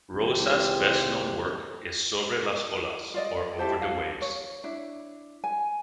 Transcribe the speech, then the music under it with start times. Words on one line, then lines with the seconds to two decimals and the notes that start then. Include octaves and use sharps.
Rosas's best known work is "Sobre las Olas" or "Over the Waves".
0.16 C#2 G#2 E3 C4 G4
3.14 F4 D5 D#5
3.59 E4 G4 A4 C5
3.81 F5
4.22 C#5
4.64 D4 E4
5.44 G#5